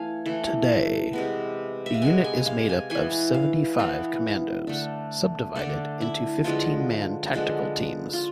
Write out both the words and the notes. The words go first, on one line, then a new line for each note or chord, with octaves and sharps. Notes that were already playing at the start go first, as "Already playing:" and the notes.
Today, the unit is made up of seventy-five commandos, subdivided into fifteen-man tactical teams.
Already playing: E3 A3 F5 G#5
E3 A3
C3 G#3 B3
E5
F5
C3 G#3 B3 G#5
G#5
F5
G#5
E3 B3 G#5
F5
E3 B3 F5
D3 A3
D3 A3 D5
E4
D3 F3 G#3 B3 F4
D3 F3 G#3 B3
F4